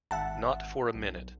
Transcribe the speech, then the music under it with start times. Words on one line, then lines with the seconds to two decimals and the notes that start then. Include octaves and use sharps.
Not for a minute.
0.11 G#1 E5 F#5 A5
0.95 B1